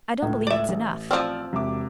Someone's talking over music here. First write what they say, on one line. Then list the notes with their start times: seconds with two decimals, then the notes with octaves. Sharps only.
I don't believe it's enough.
0.22 C#2 A2
0.47 D5 E5
0.69 A1
1.11 F3 C4 D5 E6 F6
1.53 E1 C3 E5 D6